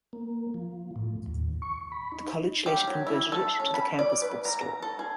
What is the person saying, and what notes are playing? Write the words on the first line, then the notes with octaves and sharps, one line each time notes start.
The college later converted it to the Campus Bookstore.
A#3
F3
A2
D#2
C#6
B5
D#4
G4
F#3
E4
A4
C#4
B5
D5
B4
A#5
A#5
A4
G#4